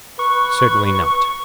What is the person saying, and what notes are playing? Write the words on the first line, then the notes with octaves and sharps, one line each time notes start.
Certainly not.
B4 C#6